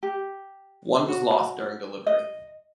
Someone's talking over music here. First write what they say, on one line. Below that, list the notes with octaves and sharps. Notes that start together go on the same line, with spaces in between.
One was lost during delivery.
G4
F#4
D#5